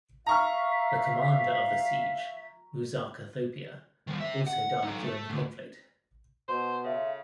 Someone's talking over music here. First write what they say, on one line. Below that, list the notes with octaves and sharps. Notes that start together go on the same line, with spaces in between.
The commander of the siege, Muzaka Thopia, also died during the conflict.
E5 F5 A#5 C#6 F6
D#3 G3
C5 E5
F#5
D#4 A4
A3
D2 G#2
B2 C5
C#3 F4 A4 E5